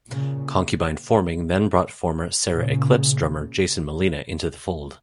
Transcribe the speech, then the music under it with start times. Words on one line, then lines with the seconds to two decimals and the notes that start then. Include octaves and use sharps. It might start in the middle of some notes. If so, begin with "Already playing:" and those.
Concubine Forming then brought former Sera Eclipsed drummer Jason Molina into the fold.
0.10 A#2 C#3
2.49 A#2 C#3